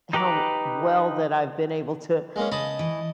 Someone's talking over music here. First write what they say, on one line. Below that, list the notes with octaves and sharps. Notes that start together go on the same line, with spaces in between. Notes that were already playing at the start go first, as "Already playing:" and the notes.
how well that I've been able to
D#4 G4 B4 A#5 D6
G#3 A#3 C#4
C#3 D#5 A5 B5
E3